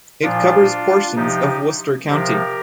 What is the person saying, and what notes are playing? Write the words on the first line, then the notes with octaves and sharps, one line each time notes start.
It covers portions of Worcester county.
A#2 F3 D4 F4
C3 F3 D#4 G4
C3 F3 G4 A#4